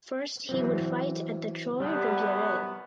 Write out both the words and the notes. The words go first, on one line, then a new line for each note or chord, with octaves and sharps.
First he would fight at the Trois Rivieres.
E3 F#3 C4
C2 F#2 G3 B3